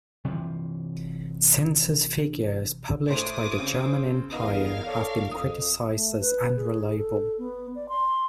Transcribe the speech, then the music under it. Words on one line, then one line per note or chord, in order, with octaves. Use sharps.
Census figures published by the German Empire have been criticised as unreliable.
C3 E3 F3
A2 C5 D6 D#6
C#3 C4 C5
E2 B3 D#4 A#4 D#5 F5
A4 C#5 D5
F2 D#6
A3
B4
G#4
A4
B3
D5
C6